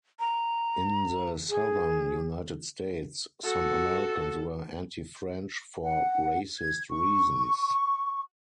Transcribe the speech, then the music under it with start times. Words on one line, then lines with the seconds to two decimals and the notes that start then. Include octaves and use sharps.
In the Southern United States, some Americans were anti-French for racist reasons.
0.20 A#5
1.50 G#4
3.45 F#4 A4
5.83 F#5
6.58 G#6
6.90 C#6